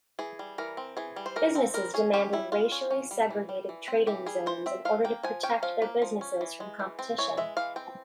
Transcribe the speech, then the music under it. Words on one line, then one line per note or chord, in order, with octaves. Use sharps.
Businesses demanded racially segregated trading zones in order to protect their businesses from competition.
E3 G#4
G3
E3 A#4
C4
E3 G#4
G3
C5
E3 A#4
C4
G3 A#4
C#4 G#4
C#4 G4
G3 E4
G3 F4
C#4
C#4
G3
E3
G3
E3
C4
E3 G4
G3 G#4
E3 C5
C4 E5
F3 F5
A#3 G5
F3 G#5
C#4 G5
F3 F5
A#3
F3
C#4
E3
G#3
E3
C4
E3 C#5
G#3 E5
E3 F5
C4 G5